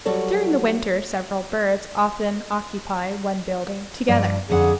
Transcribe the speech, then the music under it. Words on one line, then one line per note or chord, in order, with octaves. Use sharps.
During the winter several birds often occupy one building together.
F#3 G3 A4 C#5
G2 F3 D5
F2 D3 G#4 F#5